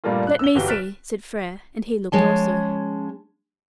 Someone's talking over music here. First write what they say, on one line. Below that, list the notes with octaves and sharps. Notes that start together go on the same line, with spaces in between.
"Let me see," said Frere; and he looked also.
G2 A#2 G3 A3 A#3 F4
F#6
E6 G7
G1 E3 F#4 G4 G7
F6 F#6 A6 B6 D7 E7
F3 G#3 C#4 A5